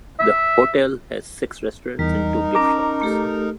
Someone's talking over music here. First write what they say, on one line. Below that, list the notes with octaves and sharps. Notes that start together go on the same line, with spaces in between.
The hotel has six restaurants and two gift shops.
E5
E2 G3 D#4 A#4
C#4 A5 A#5 D6
A3 G4 A4